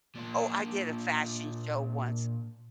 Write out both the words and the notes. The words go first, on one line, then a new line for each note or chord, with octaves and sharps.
Oh, I did a fashion show once!
A#2 D4